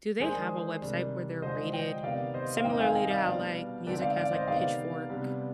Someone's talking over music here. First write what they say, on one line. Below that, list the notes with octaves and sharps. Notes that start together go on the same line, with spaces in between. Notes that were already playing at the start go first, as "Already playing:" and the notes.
Do they have a website where they're rated similarly to how, like, music has, like, Pitchfork?
D#3 G#3 D4 G#4 C5
C3 D#3 G3 D4
D3 F3 G#3 D4 C5 D#5
D#5 G5
C3 D#3 B3 D#4 D5 F5
C5 D#5
F5
D#3 G3 C4 D#4 D#5 G5
F5 G#5
D#5 G5
D5 F5
B2 G3 B3 D4
D3 G#3 C4 D#4 B4 D5
D5 F5
D5 F5
C5 D#5
C3 D#3 B3 D#4 D5 F5
C3 G3 B3 D4